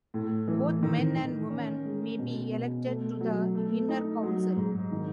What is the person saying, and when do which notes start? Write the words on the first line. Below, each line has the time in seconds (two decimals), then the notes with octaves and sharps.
Both men and women may be elected to the inner council.
0.14 A2
0.48 E3
0.83 D#3
1.16 D#3
1.50 C#4
1.85 G#3
2.18 B2
2.52 B2
2.86 A3
3.21 F#3
3.55 A3
3.89 D#4
4.23 F#3
4.56 G#2
4.92 D#3